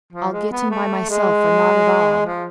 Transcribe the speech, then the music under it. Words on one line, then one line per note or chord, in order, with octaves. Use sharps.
I'll get him by myself or not at all.
F3
G#3
B3
A3
G#3
F3